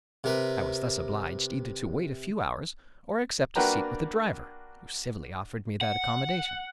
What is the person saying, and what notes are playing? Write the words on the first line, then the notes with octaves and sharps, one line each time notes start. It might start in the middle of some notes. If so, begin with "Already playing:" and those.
I was thus obliged either to wait a few hours or accept a seat with the driver, who civilly offered me that accommodation.
C3 A#4 B4
A#3 D4 F#4 B4 G5 A#5
F#5